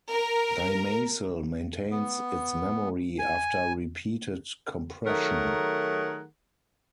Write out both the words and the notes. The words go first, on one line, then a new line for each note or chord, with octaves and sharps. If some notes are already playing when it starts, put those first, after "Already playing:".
Dymacel maintains its memory after repeated compression.
A#4
B3
G#5
D#3 F#3 A3 G#4 A#4 F#5